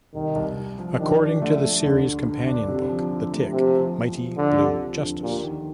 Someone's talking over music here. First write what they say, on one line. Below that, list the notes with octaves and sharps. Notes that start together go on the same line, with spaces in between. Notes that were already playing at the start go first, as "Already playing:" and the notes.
According to the series' companion book, The Tick: Mighty Blue Justice!
C2 D#3
C2
C2
F3
D#3 D4
D4
D3 A3
A3
D2 D3
D3
D3
D4
C3
F3
F3
A3
C3 F3
F3
F3
F3
D2 D3
C3
F3
D2
A#2 G4
D#3